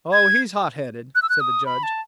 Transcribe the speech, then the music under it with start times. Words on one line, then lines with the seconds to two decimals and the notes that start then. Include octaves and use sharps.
"Oh, he's hot-headed," said the Judge.
0.13 G#6
1.15 F#6
1.22 E6
1.29 F#6
1.40 D#6
1.66 B5
1.83 A5